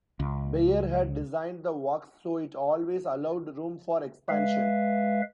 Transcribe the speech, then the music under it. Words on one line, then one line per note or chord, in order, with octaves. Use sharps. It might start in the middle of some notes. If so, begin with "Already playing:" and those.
Beyer had designed the works so it always allowed room for expansion.
C#2
G#3 B4 E5 F5